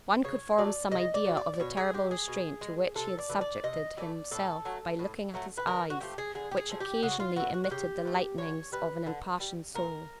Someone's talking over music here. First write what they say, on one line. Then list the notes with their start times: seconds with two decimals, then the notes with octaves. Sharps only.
One could form some idea of the terrible restraint to which he had subjected himself by looking at his eyes, which occasionally emitted the lightnings of an impassioned soul.
0.24 C#3 C#5
0.58 F#3 A3 D5
0.92 C#3 D#5
1.14 D5
1.26 F#3 A3
1.37 D5
1.54 D5
1.60 B2 C#5
1.77 G#4
1.93 G#3 G4
2.11 G#4
2.28 B2
2.61 G#3
2.95 C3 A4
3.19 D5
3.29 E3 A3
3.41 D5
3.63 C3 D#5
3.97 E3 A3 D5
4.31 A2 A4
4.65 F#3 A3
4.99 A2
5.34 F#3 A3
5.57 B4
5.67 D3 A#4
5.90 F#4
6.01 F3 A3 G4
6.18 G#4
6.35 D3 G#4
6.51 G4
6.57 G#4
6.69 F3 A3
6.80 G4
7.03 C#3 F#4
7.20 F4
7.36 E3 A3 F#4
7.54 F#4
7.64 F#4
7.71 C#3 G4
8.05 E3 A3
8.38 D3 C#5
8.72 G3 B4
9.07 D3
9.40 G3
9.75 A#2 A#4